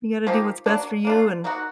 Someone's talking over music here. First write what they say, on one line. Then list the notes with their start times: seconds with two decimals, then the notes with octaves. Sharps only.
you gotta do what’s best for you and
0.27 F3 A#3 D#4 G4
0.66 F#3 A#3 D4
1.05 A#3 D4 F4
1.44 A#3 D#4 F#4